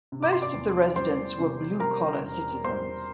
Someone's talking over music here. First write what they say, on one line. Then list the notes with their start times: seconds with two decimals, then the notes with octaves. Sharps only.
Most of the residents were blue collar citizens.
0.12 C3
0.22 D6
0.33 C6
0.42 D5 D6
0.54 E2
0.96 G3 C5 C6
1.38 C3
1.80 G3 A#4 A#5
2.22 E1
2.64 G3 C5 C6